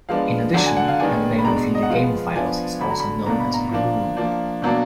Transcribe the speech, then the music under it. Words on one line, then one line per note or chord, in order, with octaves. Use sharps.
In addition, her name within the game files is also known as "Grue".
F3 G#3 B3 D4 F5
D3 F#3 D4 F#5
G#5
F#5
F5
D#3 G#3 B3 D4 G#5
B5
B2 G#3 D4 A#5
D#5
F#5
F3 G#3 B3 F5
F3 B3 D4 G#5
D3 F#3 D4 B5
A#5
B5
B2 A#3 D4 A#5
B5
A#5
F3 A#3 D4
F3 A#3 D4
B2 F#3 A#3 D4